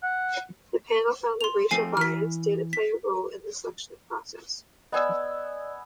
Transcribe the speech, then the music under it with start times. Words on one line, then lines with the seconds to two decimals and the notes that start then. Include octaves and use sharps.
The panel found that racial bias did play a role in the selection process.
0.02 F#5
1.41 C6 F7
1.71 F3 A3 C4 G#5 C7
1.97 E3 F6 B6
2.73 B6
4.92 B3 D5 D#5 G#5 E6